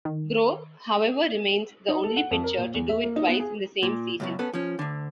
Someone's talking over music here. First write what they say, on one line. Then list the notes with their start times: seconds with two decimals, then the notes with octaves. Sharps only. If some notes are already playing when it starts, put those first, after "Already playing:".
Grove, however, remains the only pitcher to do it twice in the same season.
0.05 D#3
1.88 D#4
2.04 A4
2.17 F#5
2.31 F2
2.44 A#4
2.58 A#2
2.74 E2
2.89 E5
3.03 A#3
3.16 D#4
3.27 B3
3.40 G#4
3.83 A#2
4.20 C#2 F#2 B2
4.39 B3 C#4 A4
4.53 F3 C#4
4.79 D2 D3